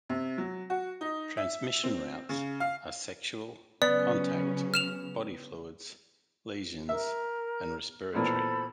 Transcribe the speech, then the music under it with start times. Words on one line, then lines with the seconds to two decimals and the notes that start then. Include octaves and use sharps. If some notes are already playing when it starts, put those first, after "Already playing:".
Transmission routes are sexual, contact, body fluids, lesions, and respiratory.
0.09 C3
0.38 F#3
0.70 F#4
1.01 D#4
1.37 E5
1.83 C4
2.29 C#3
2.60 F5
3.82 C#3 F#3 B3 C#4 D5
4.74 F6 E7 F7
6.89 A#4 E5
8.14 B1 A#2 E3 A4 C5 B5